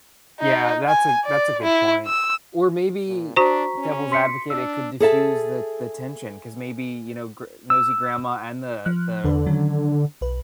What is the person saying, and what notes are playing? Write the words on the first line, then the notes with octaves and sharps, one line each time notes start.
Yeah, that's a that's a good point, or maybe, er, devil's advocate, it could diffuse the the tension 'cause maybe, you know, gr nosy grandma and the the
D#4
G#5
D5
E4
E6
A#2
D4 F#4 C5 A#5 C#6 B6
C#4
C6 B6 C#7
D4 E6
G#4 A4 E5 A5
E6
F3 F6 F#6
E2 D3 B4
D#3 F#3 C#4
B1 B4